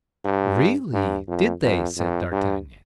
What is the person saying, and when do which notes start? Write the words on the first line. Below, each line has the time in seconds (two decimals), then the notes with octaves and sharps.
"Really, did they?" said D'Artagnan.
0.25 G2
0.93 G2
1.28 F2
1.63 F2
1.97 F2
2.32 G2